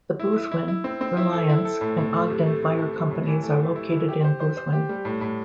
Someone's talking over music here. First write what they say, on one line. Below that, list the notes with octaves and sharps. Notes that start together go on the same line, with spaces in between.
The Boothwyn, Reliance, and Ogden fire companies are located in Boothwyn.
E4
E4
E4
E4
C4
C4
E4
A4
E4
A4
A2
A2
A3
C3
A3
C3
A3
C3
A2
E3
A3
A3
E4
E4
G4
C5
C5
C5
G4
G3
A2
A2